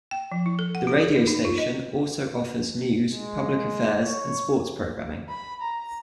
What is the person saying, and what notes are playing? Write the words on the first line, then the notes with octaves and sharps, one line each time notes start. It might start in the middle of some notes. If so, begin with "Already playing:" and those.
The radio station also offers news, public affairs, and sports programming.
G5
F3
E4
A4
F#5
G4
G#4
D#4
D#4
F4
D#5
G#3
C#5
B5
A#5